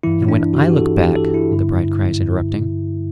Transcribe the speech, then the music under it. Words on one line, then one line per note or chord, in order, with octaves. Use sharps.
'And when I look back--' the bride cries, interrupting.
G2 E3 E4
D4
F#4
G4
F#4
A4
G4
A4
E4
G2 D3